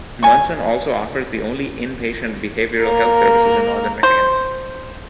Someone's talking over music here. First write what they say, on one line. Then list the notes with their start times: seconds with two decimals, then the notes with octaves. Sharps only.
Munson also offers the only inpatient Behavioral Health services in northern Michigan.
0.23 G#5 C#6
2.81 A#3 A#4
4.03 C5